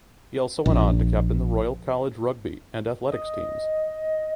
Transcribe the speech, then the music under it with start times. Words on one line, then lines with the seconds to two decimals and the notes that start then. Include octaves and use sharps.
He also went onto captain the Royal College rugby and athletics teams.
0.66 A#1
3.11 D#5